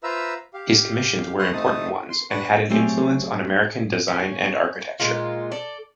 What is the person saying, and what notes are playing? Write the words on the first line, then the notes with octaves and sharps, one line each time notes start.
His commissions were important ones and had an influence on American design and architecture.
F4 B4 C5 E5 A#5 E6
G4 F5
F#4 B4 F#5 C6 F#6
A3 C4 D#4 A5 D#6
C6
D4 B4 F#5 C#6 F#6
F#3 A3 C4 G4 G#4 C#5
C#4
A#2 G#3 D#4 F4
A4 D5